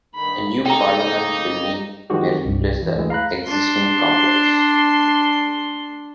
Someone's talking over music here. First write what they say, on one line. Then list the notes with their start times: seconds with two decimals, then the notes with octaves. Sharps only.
A new Parliament building may replace the existing complex.
0.15 G2 D#3 D#4 B5
0.66 C#3 A#3 C4 D#4 A4 G5 A#5
2.10 D#3 F3 F#3 G#3 F#4 G4
2.45 C2 G2
2.83 E3
2.95 D2 D3 E3 G#3
3.10 F5 A#5 B5 F#6
3.45 D4 C6